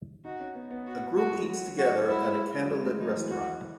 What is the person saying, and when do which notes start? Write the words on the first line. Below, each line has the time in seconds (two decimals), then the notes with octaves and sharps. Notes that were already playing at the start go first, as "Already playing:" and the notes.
A group eats together at a candlelit restaurant.
0.25 D#4 F#4
0.40 C#4
0.55 B3
0.71 B3
0.86 F#4
1.16 A3 F#4
1.32 G#3
1.47 F#3
1.78 F#4
2.08 G#3 E4
2.63 F#3
2.70 G#3
2.85 A3
3.00 F#3 D#4
3.16 E3
3.31 E3 F#4